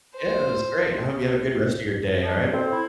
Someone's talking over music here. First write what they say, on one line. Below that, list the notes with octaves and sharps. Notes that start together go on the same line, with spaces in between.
Yeah, it was great, and I hope you have a good rest of your day, alright?
C5
F3
C4 A4 C5
E4